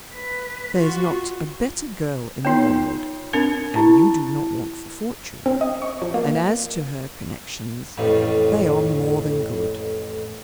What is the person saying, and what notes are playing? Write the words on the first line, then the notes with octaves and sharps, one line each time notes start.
There is not a better girl in the world, and you do not want for fortune; and as to her connexions, they are more than good.
B4
F4 F#4
B3 D#4 F4 C#5 G5
C4 D4 A#4
E4 G4 A5
C4
D#5
C#6
F3
A#3
A1 F2 A2